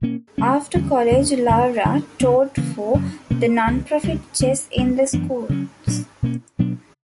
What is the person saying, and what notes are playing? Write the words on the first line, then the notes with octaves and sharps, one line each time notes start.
After college Laura taught for the non-profit Chess-in-the-Schools.
B2 A#3 C#4
C#3 G3 A#3 C#4
E2 D3 G3 C#4
E2 C#3 E3 A#3
F#2 D3 A#3
G2 D3 F#3
D2 C#3 F#3 B3
C#3 E3 A#3
F#2 C#3 F#3
B2 A#3 C#4
C#2 C#3 E3
C#2 C#3 G3
D2 D3 A#3 C#4
C#2 C#3 G3 B3
F#2 E3 B3 D4
C#3 F#3 A#3 C#4
A#2 F#3 B3 D4
B2 A#3 C#4
B2 F#3 B3 D4